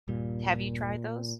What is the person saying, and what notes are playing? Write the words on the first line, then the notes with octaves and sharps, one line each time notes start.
Have you tried those?
D#1 G2 A#2 G3